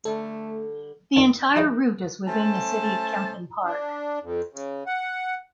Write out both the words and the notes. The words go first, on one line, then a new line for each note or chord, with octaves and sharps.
The entire route is within the city of Kempton Park.
D3 G3 A3 A4
A#2 D#3 A#3 D4
E4 F4 G4 G#4 C#5 D5
A3 C#4 C5 A5
D4
F2
C#3
F#5